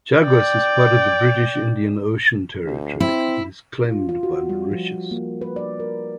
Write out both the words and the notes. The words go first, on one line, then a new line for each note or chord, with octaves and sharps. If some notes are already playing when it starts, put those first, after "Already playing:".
Chagos is part of the British Indian Ocean Territory and is claimed by Mauritius.
D5 G5
D2
C4 E4
F4
F4
F#4
G3
F3
A#3
B4
D5
A#4